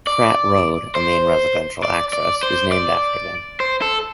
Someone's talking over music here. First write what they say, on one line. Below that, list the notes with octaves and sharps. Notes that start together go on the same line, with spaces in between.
'Pratt Road', a main residential access, is named after them.
D5
C5
D5
D5
C5
D5
C5
A4